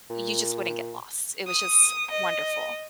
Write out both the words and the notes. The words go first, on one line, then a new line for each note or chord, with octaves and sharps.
You just wouldn't get lost it was just wonderful.
A#2
D#6
D#5